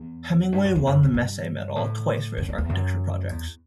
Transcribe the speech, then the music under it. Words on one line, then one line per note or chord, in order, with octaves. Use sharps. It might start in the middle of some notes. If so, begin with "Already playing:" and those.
Hemingway won the Massey medal twice for his architecture projects.
Already playing: E2
G2
F#2
E2
F#2
F#2
G2
A2
F#2
F#2
E2
F#2
E2